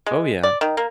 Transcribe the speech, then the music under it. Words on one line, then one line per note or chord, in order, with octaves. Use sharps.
Oh yeah.
G#3
D5
D#3
A#3